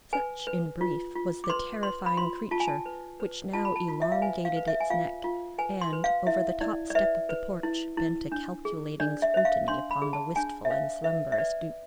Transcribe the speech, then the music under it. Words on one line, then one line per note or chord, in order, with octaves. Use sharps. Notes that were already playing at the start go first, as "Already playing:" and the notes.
Such, in brief, was the terrifying creature which now elongated its neck, and, over the top step of the porch, bent a calculating scrutiny upon the wistful and slumberous Duke.
B4 G#5
B4
F4
F4
D6
B4 C6
B4 C6
B5
F4 C6
F4 A5
G#5
A5
B4
B4
F4 A5
B5
A5
F4
E5
F5
B4 G#5
F5
B4
E5
G#5
F4 F5
F4
B4 G#5
C6
B4
F5
E4 E5
E4 D5
D5
B4 E5
B4
E4
E4
D4
G#4
D4 D5
E5
C5 E5
F5
D4 C6
B5
G#4
A5
D4 G#5
E5
C5 F5
B4 E5
E5
B4 D5